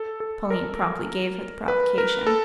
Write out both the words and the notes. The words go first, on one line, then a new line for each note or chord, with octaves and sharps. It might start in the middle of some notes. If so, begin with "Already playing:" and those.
Pauline promptly gave her the provocation.
Already playing: A4
A4
A#4
B4
A#4
A4